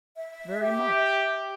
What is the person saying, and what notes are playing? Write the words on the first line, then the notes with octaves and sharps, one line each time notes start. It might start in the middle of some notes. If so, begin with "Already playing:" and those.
"Very much."
E5
G4